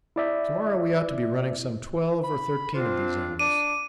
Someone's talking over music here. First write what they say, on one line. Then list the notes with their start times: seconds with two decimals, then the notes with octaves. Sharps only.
To-morrow we ought to be running some twelve or thirteen of these animals.
0.16 E4 D5 E5
2.24 B5
2.74 C4 D4 F4 C5
3.39 D4 D6 D#7